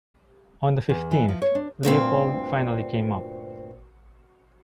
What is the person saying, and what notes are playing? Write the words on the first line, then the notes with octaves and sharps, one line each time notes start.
On the fifteenth, Leopold finally came up.
E2
E3
F3
C#5
D4
D2 G2 A#2 C4